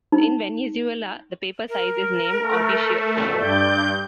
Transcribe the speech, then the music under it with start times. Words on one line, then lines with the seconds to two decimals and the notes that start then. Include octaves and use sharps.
In Venezuela, the paper size is named "oficio".
0.12 D#4
1.69 A#4
2.41 A3
3.39 G2 D5 G6